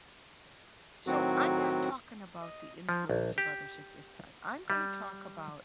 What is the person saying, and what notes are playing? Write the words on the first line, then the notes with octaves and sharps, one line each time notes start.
So I'm not talking about the influence of others at this time. I'm gonna talk about
A2 D#3 F#3 C4 F#4
D#5
F3
A#1
G4
G3